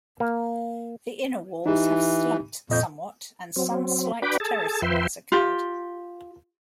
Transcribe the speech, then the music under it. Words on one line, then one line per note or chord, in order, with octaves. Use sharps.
The inner walls have slumped somewhat, and some slight terracing has occurred.
A#3
E3 D#4 G4
F2 A#2 D#5 G6
F#3 C4
D4 F#4 B4 G5 B5 D6
G#4 A4 A5
F2 F3 B4 E5 G5 C6
F4 G4